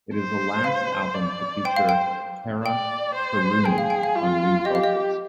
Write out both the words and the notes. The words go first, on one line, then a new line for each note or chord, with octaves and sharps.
It is the last album to feature Tarja Turunen on lead vocals.
C5
F5
D5
C5 G5
F5
G5
D5 G5
C5
G#4 G5
F5
G5
F5
F4
G4 D#5
F5
D#5